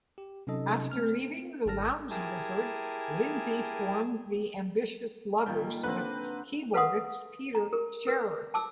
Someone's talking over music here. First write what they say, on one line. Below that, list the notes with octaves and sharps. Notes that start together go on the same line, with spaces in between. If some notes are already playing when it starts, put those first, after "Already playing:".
After leaving the Lounge Lizards, Lindsay formed the Ambitious Lovers with keyboardist Peter Scherer.
G4
C3 F#3 C#4 D#4 A4 D#5
A3 C4 F6
C4
G#1 G#2 A4 A5 F6 A#6
E4 G4 G#4 A#4 G#5 A5
A#2 D#3 G3 G5
D3 C4 B4 F#6
A4 B4 F5 F#5 C6 D#6
A#5
A#4
A#4 B4
A5 D6 E6